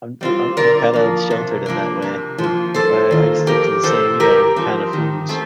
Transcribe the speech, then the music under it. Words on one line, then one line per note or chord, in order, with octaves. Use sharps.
I'm uh I'm I'm kind of sheltered in that way. like, I I I stick to the same, you know, kind of foods.
G3 C4 F4
D3 A#4 D5
F3 A#3
C3
F3 A#3 D4
C3
F3
A#3
G2 A4 C5
D#3 A#3 F4
F2 G4 A#4
C3 F3 C4 A4 C5
G2 G4 A#4
F3 C4 D#4
D#3
A3 C4